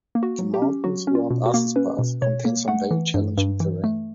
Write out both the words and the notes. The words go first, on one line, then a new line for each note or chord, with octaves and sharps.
The mountains around Arthur's Pass contain some very challenging terrain.
A#3
F#4
F#3
G4
C#4
F#3 F#4
C#4
F4
B2
F#4
A#3
C#4 B4
B2
B2 C#5
A#3
A3 F#5
E3
G2
G2
E3
A3